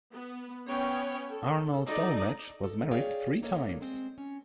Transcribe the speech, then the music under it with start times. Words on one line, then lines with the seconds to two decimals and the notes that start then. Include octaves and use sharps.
Arnold Dolmetsch was married three times.
0.13 B3
0.68 B3 C#4 C#5 G5
1.30 A4
1.86 D#4 A4 D5
2.64 A4
2.91 G#4 C#5 D5 E5 F5 G5
3.42 A#3 D#4 A4 A#4 C#5 D#5
3.81 G#3 C4
4.18 C#4